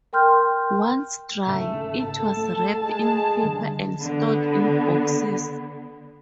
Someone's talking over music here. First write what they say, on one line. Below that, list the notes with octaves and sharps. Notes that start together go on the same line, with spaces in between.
Once dry, it was wrapped in paper and stored in boxes.
A#4 G5 C6 F6 G6
G#1 G#2 C#3 A3
A4 A5
A3
G#3 A5
D3 G3
D3 B3